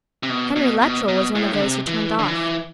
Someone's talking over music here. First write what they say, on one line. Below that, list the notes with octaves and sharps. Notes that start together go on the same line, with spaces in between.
Henry Luttrell was one of those who turned off.
C3
B2
B2
B2
B2
A2
D3
C3
E3
D3
E3